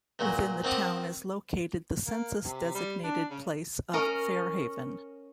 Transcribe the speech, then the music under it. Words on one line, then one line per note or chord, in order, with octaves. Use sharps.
Within the town is located the census-designated place of Fair Haven.
C#2 A#2 F#3
D#3 C4 F#5 A5 D6 D#6
A#3
C3
G3
D4
C#3
C#4 A#4 D#5